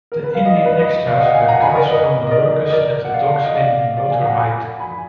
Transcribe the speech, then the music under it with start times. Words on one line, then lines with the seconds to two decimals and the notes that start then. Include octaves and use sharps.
The Indian extras were cast from workers at the docks in Rotherhithe.
0.12 A#4
0.24 B4
0.35 F5
0.45 D#5
0.55 D5
0.65 B4
0.78 B4 D#5
1.06 D5 F5
1.20 D#5 F#5
1.34 F5 G#5
1.48 F#5 A#5
1.61 G#5 B5
1.75 A#4 D5
1.89 B4 D#5
2.27 D#5
2.31 A#4 D5
2.65 D#5
2.72 A#4 D5
3.05 F#5
3.13 D5 F5
3.44 D#5
3.55 D5 F5
3.96 D5 F5
4.10 F5 G#5
4.25 F#5 A#5
4.38 G#5 B5
4.80 G#5 B5